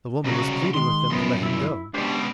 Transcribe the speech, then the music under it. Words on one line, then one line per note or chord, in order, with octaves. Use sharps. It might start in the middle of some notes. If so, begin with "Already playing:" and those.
The woman was pleading with them to let him go.
C2 C#3 F#3 F#4
D#3 G#3 C6
C2 F#2 F3 B3
E4
C#2 B2 D4 G4 C5